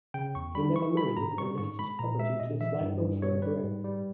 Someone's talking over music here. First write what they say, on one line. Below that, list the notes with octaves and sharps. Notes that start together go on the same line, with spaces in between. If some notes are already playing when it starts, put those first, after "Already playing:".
He never married and left his property to his lifelong friend Rev.
C#3 G5
E2 C#6
G3 B5
E3 C#6
G3 B5
G#2 A#5
G3 C#6
G#2 C#6
G#3 B5
A#2 A#5
G#3 E5
A#2 D#5
E3 E5
G2
G2
G3 C#5
G3 B4
G#2
G3